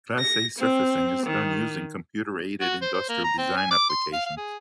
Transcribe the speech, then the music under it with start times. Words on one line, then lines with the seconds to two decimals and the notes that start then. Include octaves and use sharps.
Class A surfacing is done using computer-aided industrial design applications.
0.18 A#6
0.59 C4
1.26 D#3
2.61 F#4
2.82 C5
2.94 C5
3.09 A#3
3.24 A#5
3.38 C4
3.57 G#5
3.71 D6
3.90 C6
4.13 F5
4.26 F5
4.38 G#4